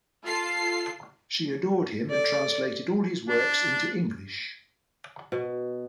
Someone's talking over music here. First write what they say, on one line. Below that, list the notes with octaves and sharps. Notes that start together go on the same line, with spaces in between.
She adored him and translated all his works into English.
F4 A4 C7
A4 D5
D4
B2